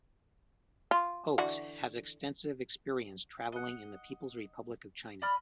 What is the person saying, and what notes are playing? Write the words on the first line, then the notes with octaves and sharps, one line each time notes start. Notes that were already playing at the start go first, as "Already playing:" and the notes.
Oakes has extensive experience travelling in the People's Republic of China.
F4
D3 E3 F#4
D#5 F#5
D5 D#5 B5 F6